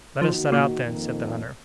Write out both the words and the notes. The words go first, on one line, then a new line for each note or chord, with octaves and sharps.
"Let us set out, then!" said the hunter.
D#3 F3 A#3 D#4 F#4
A#2
F2 D#3 A#3